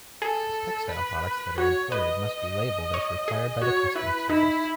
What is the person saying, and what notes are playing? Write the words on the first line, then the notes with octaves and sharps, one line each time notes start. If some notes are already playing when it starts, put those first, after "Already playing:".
Textile products that are imported must be labeled as required by the Customs Service.
G#4 A4
B4
F#4 C#5
B4 D#5
C#5
G#4
F#4 C#5
E4 B4
D#4 E4